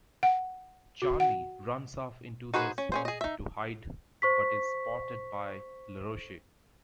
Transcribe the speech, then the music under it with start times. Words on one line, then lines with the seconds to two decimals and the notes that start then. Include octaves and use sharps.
Charlie runs off into the swamp to hide but is spotted by Laroche.
0.23 F#5
1.02 F#4
1.20 F#5
2.54 D#4 F#4 G#4 B4 C5
2.78 C#4
2.92 C#4 G#4 C5
3.05 G#4 D#5
3.21 D#4 E5
4.22 C5 C#6 B6